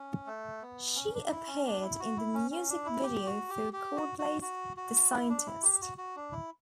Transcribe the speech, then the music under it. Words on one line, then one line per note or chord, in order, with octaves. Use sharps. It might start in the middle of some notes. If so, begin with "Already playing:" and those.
She appeared in the music video for Coldplay's "The Scientist".
Already playing: C#4
A3
B3
C#4
D4
E4
C#4
D4
E4
F#4
E4
C#4
C#4
D4
E4
G4
F#4
G4
G4
F#4
F#4
F#4
F#4
E4
D4
E4
G4
F#4
F#4
D4
E4